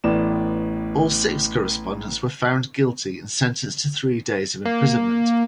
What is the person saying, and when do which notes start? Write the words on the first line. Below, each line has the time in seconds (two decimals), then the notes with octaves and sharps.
All six correspondents were found guilty and sentenced to three days of imprisonment.
0.04 A1 A2 B3 D5 E7
4.65 A#3